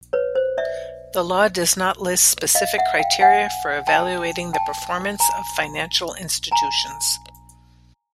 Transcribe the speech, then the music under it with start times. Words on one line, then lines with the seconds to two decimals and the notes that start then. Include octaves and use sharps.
The law does not list specific criteria for evaluating the performance of financial institutions.
0.13 B4 C#5
0.35 C5
0.58 D5 E5
2.55 D#5 F5
2.78 E5 F#5
2.99 F5 G5
3.21 F#5 G#5
3.87 G5 A5
4.53 G5 A5
5.20 G#5 A#5
6.51 G#5 A#5